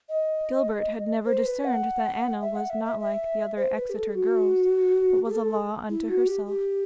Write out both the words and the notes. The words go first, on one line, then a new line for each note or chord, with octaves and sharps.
Gilbert had never discerned that Anna was not like the other Exeter girls, but was a law unto herself.
D#5
C5
B4
F#5
E5
F#5
E5
E5
E5
C5
B4
G4
A4
F#4
G4
A4
E4
F#4
G4
G4